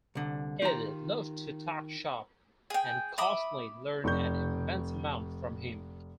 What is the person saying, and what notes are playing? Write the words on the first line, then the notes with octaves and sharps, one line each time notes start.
Ed loved to "talk shop" and Kosslyn learned an immense amount from him.
C2 D3
D#3 F4 G4 A#5
G#4 G5
E5 B5 D6 D#6
F1 C#6 G6